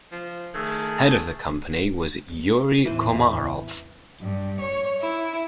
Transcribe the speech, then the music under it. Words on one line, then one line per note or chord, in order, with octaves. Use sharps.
Head of the company was Yury Komarov.
F3
D#3 A3 G#4 A4
E2 A2 E3 B4 C5
G2
C#5
E4